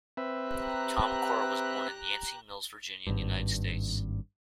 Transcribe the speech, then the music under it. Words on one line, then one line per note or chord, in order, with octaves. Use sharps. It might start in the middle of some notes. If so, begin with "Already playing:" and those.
Tom Cora was born in Yancey Mills, Virginia, United States.
C4 B4 E5
G4 A#5 F#6
G#1 G2